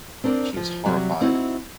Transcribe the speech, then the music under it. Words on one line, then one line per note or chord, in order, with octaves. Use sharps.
She is horrified.
C4 D4 A#4 C#5 D5
F3
C3 F#3 G3
C4 D#4 E4 F#4